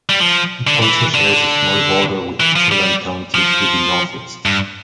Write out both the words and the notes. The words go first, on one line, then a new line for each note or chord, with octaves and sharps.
It also shares a small border with Chelan County to the northeast.
G3
F3
D3
E3
D3
E3
F3
G3
F3
G2